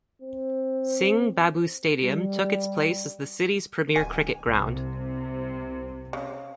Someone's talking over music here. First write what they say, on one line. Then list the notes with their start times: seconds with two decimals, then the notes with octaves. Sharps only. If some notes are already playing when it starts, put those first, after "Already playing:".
Singh Babu Stadium took its place as the city's premier cricket ground.
0.22 C4
2.01 G3
3.96 D1 G#5
4.47 C2 C3
6.13 C#3